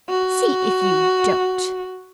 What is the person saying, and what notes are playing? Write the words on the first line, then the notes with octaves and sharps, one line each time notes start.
See if you don't.'
F#4